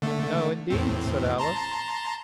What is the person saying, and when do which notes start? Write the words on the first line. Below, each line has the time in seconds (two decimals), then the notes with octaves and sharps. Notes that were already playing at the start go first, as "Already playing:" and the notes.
'No, indeed,' said Alice.
0.02 D3 A3
0.70 E2 A2 C4
1.38 A5 A#5 C6